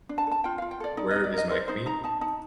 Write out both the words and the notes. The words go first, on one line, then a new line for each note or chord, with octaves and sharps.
Where is my queen?
D4
A5
A4
A5
F4 G5
F4 F5
G5
A4 D5
D#4 D5
D#5
D#4
D5
A#4 D#5
A#4 C5
D#4 C5
D#4 A#5
D#4 A5
D#4 A5